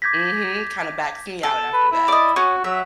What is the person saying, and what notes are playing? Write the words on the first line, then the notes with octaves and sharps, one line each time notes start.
Mhm. Kinda backs me out after that,
D6 G6 G#6 A#6 B6
A4
B4
E4
D5 D#5
C#4 F#4 D#6
F#3 E5